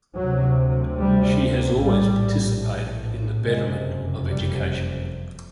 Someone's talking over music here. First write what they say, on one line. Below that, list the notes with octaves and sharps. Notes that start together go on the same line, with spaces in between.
She has always participated in the betterment of education.
D2 C3 F#3
G3
A#1 A2 G3
F#1 F2 C3 G#3
G3